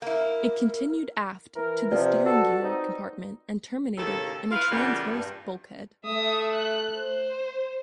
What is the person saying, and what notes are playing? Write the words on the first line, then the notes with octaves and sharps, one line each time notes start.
It continued aft to the steering gear compartment and terminated in a transverse bulkhead.
A#3 E4 A#4
E3 A#4
C3 F3 F4 B4 D5
F#4 A4
C4 D#4
D#2 A2 C#3 A4
E4 F4 B4 F5
A#2 C#3 E3 G3 B3
G2
A3 E5 D#6
F#6
C5